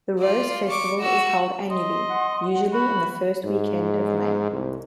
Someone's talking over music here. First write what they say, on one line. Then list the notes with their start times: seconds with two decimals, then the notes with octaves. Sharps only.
The Rose Festival is held annually, usually in the first weekend of May.
0.19 F4 D5
0.68 C#6 D6
1.00 F#4 E6
1.70 D#5 C6
2.09 F#5
2.73 F#4 B5
3.45 G#2
4.51 C2